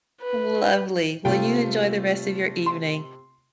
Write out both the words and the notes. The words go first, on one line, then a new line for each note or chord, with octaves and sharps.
Lovely. Well, you enjoy the rest of your evening.
B4
C3 A3 F4 G5
C6